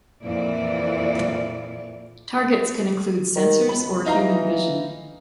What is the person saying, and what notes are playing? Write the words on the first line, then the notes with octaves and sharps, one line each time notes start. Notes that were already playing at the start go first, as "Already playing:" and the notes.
Targets can include sensors or human vision.
F2 A#2 E3 D5
D#3
C#2 B5
E3 D#4 F5 A#5